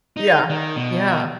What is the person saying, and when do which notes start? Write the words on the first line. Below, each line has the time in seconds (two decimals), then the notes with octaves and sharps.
Yeah, yeah.
0.17 D#4
0.50 D#3
0.76 B2